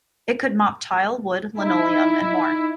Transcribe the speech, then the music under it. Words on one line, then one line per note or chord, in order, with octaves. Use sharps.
It could mop tile, wood, linoleum, and more.
D#4 E4